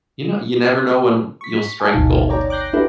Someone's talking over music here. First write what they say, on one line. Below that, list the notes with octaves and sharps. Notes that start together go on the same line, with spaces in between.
you kno you never know when r you'll strike gold.
C#6 B6
G#5 A5
G#1 D2 B2 D#4 F5
C#5 D5 G5 A#5
D6 F#6 G6 A#6 C7
D4 E4 F#4 G4 A4 B4